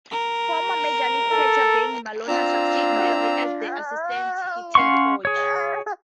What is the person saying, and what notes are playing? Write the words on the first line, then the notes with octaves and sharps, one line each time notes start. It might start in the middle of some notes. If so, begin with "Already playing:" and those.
Former major league catcher Bengie Molina succeeded Mabry as the assistant hitting coach.
A#4
A4
C4 D4 F4 A#5 E6
C#4 F5 F#5 C6 C#6
G#4 C#5